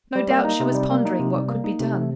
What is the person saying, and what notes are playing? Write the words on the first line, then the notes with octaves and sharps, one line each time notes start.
No doubt she was pondering what could be done.
G3
A#3
D#4
C3
G3
A#3
D#4
C3
G3
A#3
D#4
C3
A3